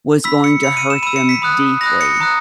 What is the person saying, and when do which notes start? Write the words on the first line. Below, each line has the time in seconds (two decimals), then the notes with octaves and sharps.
was going to hurt them deeply.
0.24 B5 E6 B6
0.44 C#7
0.63 B5 E6 C#7
0.77 D#7
0.90 E7
1.03 B5 E6 D#7
1.16 C#7
1.29 B6
1.42 B5 D#6 F#6
1.81 B5 D#6 F#6 A#6
2.01 C#7
2.20 A#5 D#6 F#6